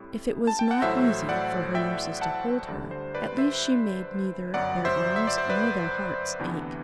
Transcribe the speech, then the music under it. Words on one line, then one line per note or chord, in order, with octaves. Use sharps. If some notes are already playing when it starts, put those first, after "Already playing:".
If it was not easy for her nurses to hold her, at least she made neither their arms nor their hearts ache.
Already playing: A2 G3 C4 E4
A5
G5
F#5
A1 A2 F#3 A3 E4 C5 E5
D5 F#5
E5 G5
F#5 A5
D2 D3 G3
C5
B4 D5
C5 E5
G1 F#2 F#3 D5 F#5
C5 E5
E5
D5
C5
B4 D5
D2 C3 E3 B3 D4